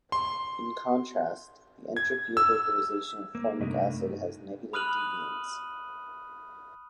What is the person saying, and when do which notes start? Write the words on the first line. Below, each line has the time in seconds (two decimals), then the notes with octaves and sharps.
In contrast, the entropy of vaporization of formic acid has negative deviance.
0.12 C6
1.97 G#6
2.37 E6
3.35 A#3
3.59 G2 C3 A3 D4 D#4 A#4
4.73 B5 D#6 F6 F#6 D#7 F#7